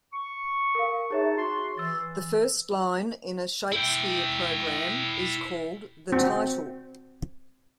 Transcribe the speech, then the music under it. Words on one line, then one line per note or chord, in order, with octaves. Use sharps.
The first line in a Shakespeare program is called the 'title'.
C#6
A#4 F5
D#4 G#4 C#5 E5 A5
F#4 C6
E3 E6 A6
E4 G5
C4 F#4